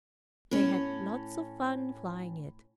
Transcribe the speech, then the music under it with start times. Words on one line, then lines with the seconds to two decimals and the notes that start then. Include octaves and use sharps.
They had lots of fun flying it.
0.51 A2 C#4